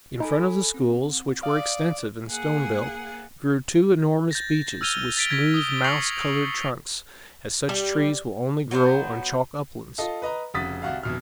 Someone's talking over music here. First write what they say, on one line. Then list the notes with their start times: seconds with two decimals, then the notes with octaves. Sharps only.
In front of the schools, which were extensive and stone-built, grew two enormous beeches with smooth mouse-coloured trunks, as such trees will only grow on chalk uplands.
0.20 D#4 A4 G#5 B5
0.74 C4
1.43 D5 F5 D#6
2.28 A#3 G#4 F#5
4.31 G6 A6 A#6
4.81 E6 F6 G#6 D#7 F7 G7
5.17 A6 B6 D7 G7
5.30 G#6 A#6 B6 D7
5.54 D#6 G7
5.84 C#6 A#6 C7 C#7 F7 F#7
7.69 G3
8.71 F#3 B3 D#4 C5
9.98 F4 A4 D#5
10.22 B4 D#5 A#5
10.54 F1 C#3 F#4 D#6 A6 B6
10.82 C2 F#4 F5
11.03 F1 B2 F6